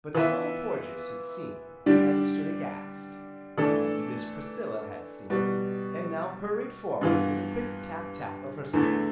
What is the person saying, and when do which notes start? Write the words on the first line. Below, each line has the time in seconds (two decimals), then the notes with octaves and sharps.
But Small Porges had seen, and stood aghast, and Miss Priscilla had seen, and now hurried forward with a quick tap, tap of her stick.
0.15 E3 B3 F4 B4 E5
1.86 D3 G3 D4 G4
3.58 E3 A3 D4 A4
5.30 B2 G3 B3
7.01 G2 E3 B3 F4
8.73 E2 D3 A3 E4